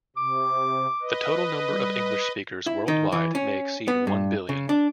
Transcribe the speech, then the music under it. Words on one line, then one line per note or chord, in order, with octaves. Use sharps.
The total number of English speakers worldwide may exceed one billion.
C3 D6
B4 D#5
G3
E4
D#3
E3
C#4
B3
G2
C#3
D4